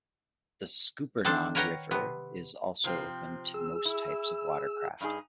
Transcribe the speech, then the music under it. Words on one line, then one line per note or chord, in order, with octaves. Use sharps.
The Scuppernong River is also open to most types of watercraft.
D#3 D4 A4 C5
A#4 B4 C#5 F#5 G5 A#5
C3 B3
C3 F3 C4
G#4 E6
E4
G2 D#4 G#4